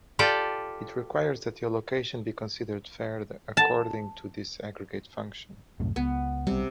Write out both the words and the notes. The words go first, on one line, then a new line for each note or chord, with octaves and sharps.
It requires that the allocation be considered fair according to this aggregate function.
F4 G4 A4 D5 G5
A5
C2 F#2 A2
C#2 B3
B1 C3 G3